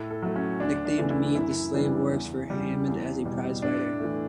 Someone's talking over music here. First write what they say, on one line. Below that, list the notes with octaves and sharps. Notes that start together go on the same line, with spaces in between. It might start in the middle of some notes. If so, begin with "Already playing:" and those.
Nicknamed "Mede", the slave works for Hammond as a prize-fighter.
Already playing: A2 A4
A4
F#3 A3
C#4
D2 D4
D4
C#3 E3 A3
E4
F#2 E4
C#3 E3 G3 B3 D4
E2
C#3 G3
E2
B2 G3
A2 D4
E3 A3